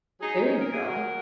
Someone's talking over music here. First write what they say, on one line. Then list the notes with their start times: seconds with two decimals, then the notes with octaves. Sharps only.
There you go.
0.20 F#3 D#4 G#4
0.39 A#2 D#4 G#4
0.58 A#3 A#4
0.71 G#4
0.77 A#2
0.84 F#4 A#4
0.96 F#3